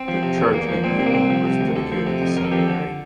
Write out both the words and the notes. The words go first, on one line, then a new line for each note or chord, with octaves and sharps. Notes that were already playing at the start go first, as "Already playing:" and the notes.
The church at Newton was dedicated to St Mary.
Already playing: C4
F3
C3
E2
E2 A#3
F3
A#2 C4
C2 C4
A#3
C2 C4
F3
C3
D2
D2 A4
F3
C3
F2
F2 A#4
A4
F3 G4
A4
D3